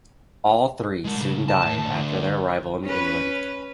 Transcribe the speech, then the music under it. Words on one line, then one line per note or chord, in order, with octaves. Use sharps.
All three soon died after their arrival in England.
G#3 A#4
C#3
A5
A2
D2
C#4 B4